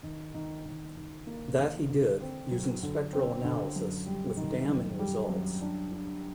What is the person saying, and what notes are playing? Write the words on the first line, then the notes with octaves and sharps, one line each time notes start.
That he did, using spectral analysis, with damning results.
D#3
D#3
D#3
D#3
A#3
D#3
D3
C4
F#3
D3
C4
D3
F#2
G3
D#3
F#2
G3
F#2
D4
D4